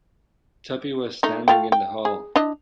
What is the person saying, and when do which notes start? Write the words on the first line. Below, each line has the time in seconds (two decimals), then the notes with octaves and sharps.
Tuppy was standing in the hall.
1.23 A3 D#4
1.48 A3 F4 G5
1.72 G5
2.05 G#4
2.36 D4 E4 D#5